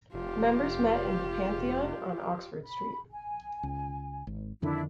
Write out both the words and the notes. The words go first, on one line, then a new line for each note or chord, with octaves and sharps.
Members met in the Pantheon on Oxford Street.
F1 F4 G4
B5
G#5
C#2
G#1
F2 D3 D#3 D4 E4